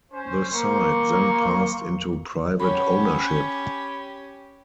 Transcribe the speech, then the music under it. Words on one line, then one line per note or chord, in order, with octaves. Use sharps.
The site then passed into private ownership.
C#4 C5
A#3 C4 C6 C#6
C#4 G4 C#5 F#5 G5 B5